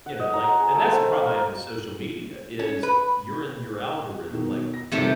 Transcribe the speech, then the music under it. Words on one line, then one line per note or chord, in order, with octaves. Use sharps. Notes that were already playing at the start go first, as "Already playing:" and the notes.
you know, like and that's the problem I have with social media is you're in your algorithm, like,
F#5
D#5
A#5
F#5
G#4
A3
C5
F5
A#4
C#4
B4
B2 D#3
A#6
G1 C3 D#3 A3 G4 A6